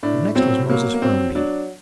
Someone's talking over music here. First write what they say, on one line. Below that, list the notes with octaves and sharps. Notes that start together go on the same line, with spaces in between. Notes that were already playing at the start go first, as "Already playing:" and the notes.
The next was Moses Firmby.
A2 D4
F#3 C4
F#3 A#3
A#3
F#3 C4
F#3 D4